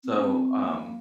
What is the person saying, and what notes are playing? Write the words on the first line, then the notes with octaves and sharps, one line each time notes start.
so, um,
C4
A#3
C#4
C4
A#3